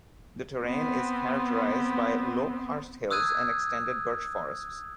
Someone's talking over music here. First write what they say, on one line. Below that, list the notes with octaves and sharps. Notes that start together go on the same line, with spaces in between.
The terrain is characterised by low karst hills and extended birch forests.
B3 C4
D#6 E6 F#6 G#6 D#7